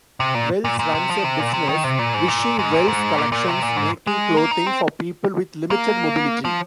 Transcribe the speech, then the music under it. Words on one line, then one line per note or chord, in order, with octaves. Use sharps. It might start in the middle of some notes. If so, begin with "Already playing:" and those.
Wells runs a business, Wishing Wells Collections, making clothing for people with limited mobility.
C3
A#2
A#2
A#2
C3
F3
C3
A#2
C3
D#3
C3
A#2
G#2
A#2
G#2
A#2
G#2
A#2
A#2
C3
A#2
G#2
G#3
A#3
D#4
C4
A#3
F3